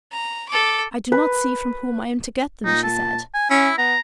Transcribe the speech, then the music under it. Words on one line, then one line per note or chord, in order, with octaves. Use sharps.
"I do not see from whom I am to get them," she said.
A#5
A4 D6
B4
A#2 D#4
A5
G#5
C#4 E4
B3 A#5